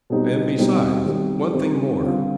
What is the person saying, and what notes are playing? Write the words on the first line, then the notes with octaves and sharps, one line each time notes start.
And besides--one thing more!
B2 G3 C4 D#4 G4
B2 G3 C4 D#4 G4
D#3 G3 C4 G4
D#3 G3 C4 G4
D3 G3 C4 F4